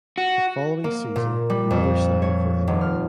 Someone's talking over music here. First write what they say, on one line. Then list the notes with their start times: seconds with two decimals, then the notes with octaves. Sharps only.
The following season Miller signed for Edinburgh.
0.18 F#4
0.84 A#3
1.16 A#2
1.50 G3
1.71 F2
2.22 C#5
2.68 D#1
2.81 F6